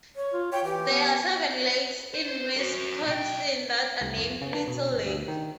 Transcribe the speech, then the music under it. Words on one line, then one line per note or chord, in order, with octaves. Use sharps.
There are seven lakes in Wisconsin that are named Little Lake.
C#5
F4
C#5 G5
E3 G4
B3
C5
F#4 A#4
B1 G5
C2
F2
C#3
D4
B2
G1
D2
D#3